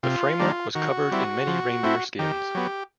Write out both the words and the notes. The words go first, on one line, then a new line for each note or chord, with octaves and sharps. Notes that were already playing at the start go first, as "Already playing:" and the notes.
The framework was covered in many reindeer skins.
C3 F4
D#3 G3 A#3 D4
D#3 F#4
G3 C4 E4
F3
A3 C4 E4
D#3 G4
F#3 B3